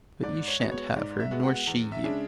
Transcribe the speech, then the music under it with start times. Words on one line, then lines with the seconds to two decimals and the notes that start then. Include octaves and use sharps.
But you shan't have her, nor she you.
0.23 G#2 D5
0.48 C#5
0.60 G#3 B3 F#4
0.72 C#5
0.96 G#2 D5
1.20 E5
1.31 G#3 B3 F#4
1.43 F#5
1.67 E2
1.92 E5
2.04 C#3 G#3 D4